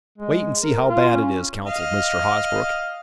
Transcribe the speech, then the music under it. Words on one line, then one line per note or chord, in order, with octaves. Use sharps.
"Wait and see how bad it is," counseled Mr. Hosbrook.
G#3
A#4
F4
C#4
D#5 F5